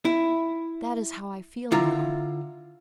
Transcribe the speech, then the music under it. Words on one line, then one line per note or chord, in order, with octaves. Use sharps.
That is how I feel now.
E4
D3 E4 F4 A#5